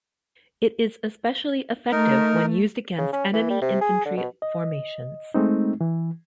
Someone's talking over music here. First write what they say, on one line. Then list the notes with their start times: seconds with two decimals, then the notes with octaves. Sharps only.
It is especially effective when used against enemy infantry formations.
1.92 A3 D#4 A#4
2.98 C#3
3.13 C#4
3.33 E3
3.50 G3
3.62 C3
3.81 G#4
4.06 D3
4.17 B2
4.42 D#5
5.34 G#3 A3 C4 D#4
5.81 E3